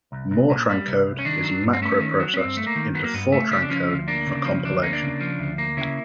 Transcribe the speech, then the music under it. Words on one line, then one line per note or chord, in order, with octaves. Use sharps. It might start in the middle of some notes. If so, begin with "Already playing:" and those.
Mortran code is macro-processed into Fortran code for compilation.
C2
C2
A#2
G3
C2
C2
C#4
D#3 D4
F#3
G2
C4
A3 C#4
D#3
F#3
C#4
G2 C4
A3
A#3
D#3
F#3 B3
A#3
G2 B3
A3
C#3 C#4
D4
F3 C#4
D2
A#3 D4
C#3
F3
D2 D4
A#3 C#4
D4
C#3
F3
D2
A#3
C#3 E4